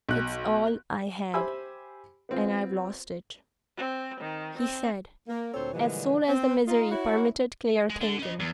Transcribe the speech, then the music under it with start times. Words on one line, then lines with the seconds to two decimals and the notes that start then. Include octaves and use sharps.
'It's all I had and I've lost it,' he said, as soon as the misery permitted clear thinking.
0.08 B1 F#6
1.34 G4 C5 E5 G#5 B5 E6
2.29 B3 C4 F4
3.77 C4
4.21 D#3
4.59 C4
5.28 A#3
5.54 D2 A#2 C4 A4 C5 C#5
5.74 A#2 D3 E3 F3 G3 G#3
6.28 C4
6.67 D#4 F4
6.91 E4 F#4 C#5
7.90 G#3
8.01 D3
8.19 C#4 D#5
8.40 E2